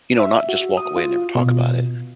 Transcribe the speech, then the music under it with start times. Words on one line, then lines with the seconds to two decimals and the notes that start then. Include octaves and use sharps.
You know, not just walk away and never talk about it,
0.20 E5
0.49 F#4
0.77 D#6
0.96 F4
1.35 B2